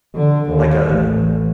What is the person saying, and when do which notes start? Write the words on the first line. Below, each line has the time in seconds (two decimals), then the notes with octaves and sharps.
like, a
0.15 D3
0.49 D#2
0.90 A1